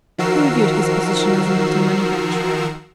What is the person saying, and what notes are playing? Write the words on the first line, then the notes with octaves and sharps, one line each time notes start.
He reviewed his position as a Milton manufacturer.
D#3 F3 F#4 A#4 E6 C7